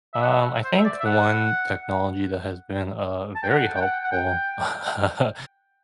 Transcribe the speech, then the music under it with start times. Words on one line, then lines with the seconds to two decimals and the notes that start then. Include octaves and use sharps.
Um, I think one technology that has been, uh, very helpful, uh,
0.14 E5
0.22 F#5
0.30 E5
0.64 C5
0.77 E5
0.85 D5
1.00 E5
1.05 F#5
3.35 A5
3.43 G5
3.50 F#5
3.75 G5
3.81 F#5
4.04 F#5
4.11 G5